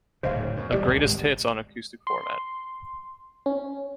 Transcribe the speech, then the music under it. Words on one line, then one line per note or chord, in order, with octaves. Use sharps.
A greatest hits on acoustic format.
D1 G#2 C#3 C5 D#5 F5
F#2
E1 B2 G3 G4 D5 D#5
C2
G#1 G#3
C6
C#4